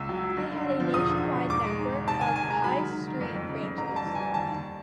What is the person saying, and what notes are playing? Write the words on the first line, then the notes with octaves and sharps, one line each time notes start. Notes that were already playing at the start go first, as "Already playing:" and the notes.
They had a nationwide network of high street branches.
Already playing: C#2 E6
F#3
F#3
G1
D3
G1
F3
E1 D#6
D3
E1
E1
G#2 D6
G#3
G#2
G#1
C3 A5
D#3 G#5
D#3 G#5
G#3 A#5
F#3 B5
D#3
D#3
D#3
F2
F2
C#3
F2
A1 A#5
G3 A5
E3
G3 G#5
D#2 A5
D#2